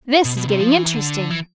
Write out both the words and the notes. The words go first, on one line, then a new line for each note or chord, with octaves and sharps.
"This is getting interesting!"
B2
B2
C3
F3
E3
D3
E3